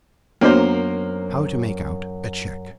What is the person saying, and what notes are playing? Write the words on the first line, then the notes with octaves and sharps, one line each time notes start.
How to Make Out a Check.
F#2 A#3 B3 D4 F#4 A#4 C5